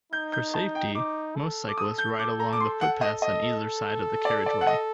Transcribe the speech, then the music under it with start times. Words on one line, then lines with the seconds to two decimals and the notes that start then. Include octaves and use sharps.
For safety, most cyclists ride along the footpaths on either side of the carriageway.
0.12 D#4 G6
0.33 G6
0.54 A5
0.75 G5
0.95 D#4 D6
1.36 A4
1.68 D6
1.78 D#6
1.98 G6
2.19 D6
2.40 A#5
2.53 D6
2.60 C6
2.81 F#5
3.01 D#5
3.22 D#5
3.43 A4
4.25 D5
4.46 D5
4.61 F#5
4.67 D#5